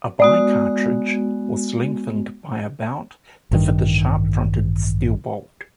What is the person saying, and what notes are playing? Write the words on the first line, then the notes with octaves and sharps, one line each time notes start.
A by cartridge was lengthened by about to fit the sharp-fronted steel bolt.
G#3 B3 F#4 D5 D#6
A1 G2 D#3